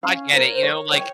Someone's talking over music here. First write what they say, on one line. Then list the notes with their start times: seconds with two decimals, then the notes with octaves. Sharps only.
I get it, you know? Like,
0.03 C#4 F5
0.33 A#4 C5
0.43 C#5
0.53 C5
0.63 C#5
0.92 C#5 G5